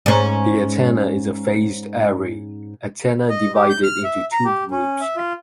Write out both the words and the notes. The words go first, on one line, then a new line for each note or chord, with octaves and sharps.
The antenna is a Phased Array antenna divided into two groups.
G#2 C#4
D#5
G4
G6
F6
E5
A#5
G4
C#4
E5
F4